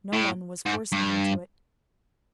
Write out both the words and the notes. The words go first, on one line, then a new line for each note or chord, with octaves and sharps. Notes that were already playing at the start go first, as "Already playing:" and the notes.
No one was forcing him to it.
A2
G#2
G2